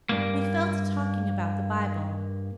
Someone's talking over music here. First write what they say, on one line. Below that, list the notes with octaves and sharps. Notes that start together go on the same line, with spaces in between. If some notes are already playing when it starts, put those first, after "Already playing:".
We fell to talking about the Bible.
G2 A#3